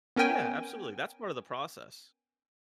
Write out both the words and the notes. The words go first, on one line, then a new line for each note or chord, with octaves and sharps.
Yeah, absolutely, that's part of the process.
B3 C#4 A#4 G5 G#5